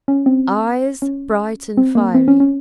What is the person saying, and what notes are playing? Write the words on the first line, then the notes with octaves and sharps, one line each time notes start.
EYES--Bright and fiery.
C#4
C4
C#4
C4
A#3
C4
C#4
C#4